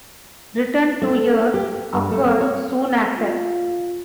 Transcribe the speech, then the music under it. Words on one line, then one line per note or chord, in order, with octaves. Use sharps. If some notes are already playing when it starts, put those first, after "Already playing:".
Return to Earth occurred soon after.
A3
G4
G2
A3
C4
C#5
F4